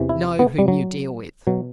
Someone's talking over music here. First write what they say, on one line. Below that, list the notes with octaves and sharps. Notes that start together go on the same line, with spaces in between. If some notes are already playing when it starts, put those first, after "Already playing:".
Know whom you deal with.
Already playing: E2 C3 E3
E4
B3
G3
F#3
B2 F#3